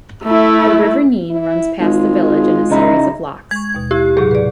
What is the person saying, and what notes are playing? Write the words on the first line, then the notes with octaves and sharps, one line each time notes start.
The River Nene runs past the village in a series of locks.
A3 E4
E4
G#1 G#3 F4
C#3 D#4 E4
G#3 C#6 G#6
D#2 B2
E4 G4
A2 C3 F#3 G#4
B4 D5